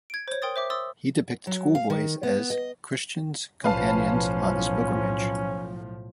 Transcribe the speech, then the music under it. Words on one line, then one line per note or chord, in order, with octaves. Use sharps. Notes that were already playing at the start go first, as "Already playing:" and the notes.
He depicted schoolboys as Christian's companions on his pilgrimage.
G#6 D7
C5 C#5
A#4 G5 C6 D#6 A6
C5 E5 D6
C6 D#6 E6 A6
F#3
F5
D#3
B3
D#5
B1 A2 F3 C#4 B4 F5 A5